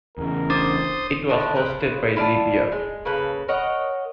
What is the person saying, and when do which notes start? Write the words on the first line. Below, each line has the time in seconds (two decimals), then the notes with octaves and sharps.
It was hosted by Libya.
0.18 E2 C#3 A#4
0.50 D4 C5 D#6
1.29 D3 D#3 D4 E4
1.55 C#3 A#3 B4 C5
2.16 E4 F4 D5 A5
2.72 G#3
3.05 C#3 A#3 A4 B4
3.48 A#4 C#5 D#5 F#5